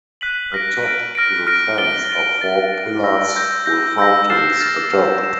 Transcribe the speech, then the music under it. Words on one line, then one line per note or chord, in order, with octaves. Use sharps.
Atop the fence are four pillars with fountains atop.
F#6 B6 D#7 F#7
F6 A#6 D7
F6 A#6 D7
F6 A#6 D7
F6 A#6 D7
A6 D7 G7
A6 D7 G7
A6 D7 G7
A6 D7 G7
E6 G6 A#6
E6 G6 A#6
E6 G6 A#6
E6 G6 A#6
F6 A6 C7 E7
F6 A6 C7 E7
F6 A6 C7 E7
C7 E7